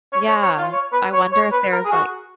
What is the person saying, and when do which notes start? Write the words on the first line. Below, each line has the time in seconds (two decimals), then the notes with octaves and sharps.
Yeah. I wonder if there's, like
0.13 C#5
0.28 C#5
0.43 C#5
0.58 F4
0.73 C#5
0.93 B4
1.13 C#5
1.33 C#5
1.52 B4
1.72 A#4
1.85 G#4
1.92 F#4